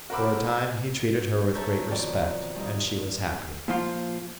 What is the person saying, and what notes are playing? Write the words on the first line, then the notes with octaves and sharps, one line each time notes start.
For a time he treated her with great respect, and she was happy.
F#4 A#4 C5 B5 D6 E6
A4 C#5 E5 A5 A#5 G6
F2 B2 D#3 D5 G5
G2 D#4
A#2 F3 F4